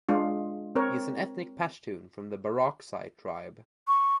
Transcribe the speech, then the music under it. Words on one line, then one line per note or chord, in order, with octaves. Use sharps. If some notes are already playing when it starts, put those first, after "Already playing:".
He is an ethnic Pashtun from the Barakzai tribe.
G#3 D4 F4
C4 A#4 C#5
C#6